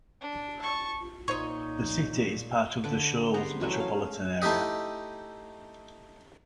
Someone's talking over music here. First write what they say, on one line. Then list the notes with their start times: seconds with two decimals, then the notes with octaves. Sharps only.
The city is part of The Shoals metropolitan area.
0.21 D4
0.61 A5 C#6
1.28 A#2 D#4 C5 C#5 D#5 C#6
2.84 D3 B4 D6
3.34 B3 G4 C5 A#5
3.60 E3 F#3 A3 C#4
3.80 F5
4.42 A3 D#4 E4 G4 D#5